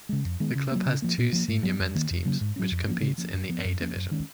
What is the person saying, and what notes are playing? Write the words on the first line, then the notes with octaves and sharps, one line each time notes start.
The club has two senior men's teams which competes in the A division.
C#3 G#3
F2
D#3 G#3 B3
C#3
F#3 A#3
C#3
F3 A#3
A#2
F3 A#3
G#2
F#3 B3
F2
D#3 A#3
F2
C#3 F#3 A#3
G#2
F#3 C#4
F2
F3 A#3 C#4
C#3
F3 A#3 C#4
F#2
F3 B3
F#2
F3 A#3 C#4
F#2
D#3 G#3 C#4